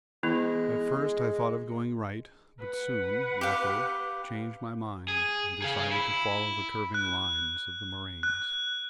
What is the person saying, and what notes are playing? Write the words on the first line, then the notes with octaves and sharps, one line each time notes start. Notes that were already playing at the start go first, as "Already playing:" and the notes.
At first I thought of going right, but soon, luckily, changed my mind and decided to follow the curving lines of the moraines.
E3 G#3 B3 E4
B4 F#5
G4 F5
G#4
G#4 F5
E4
F#6
F#6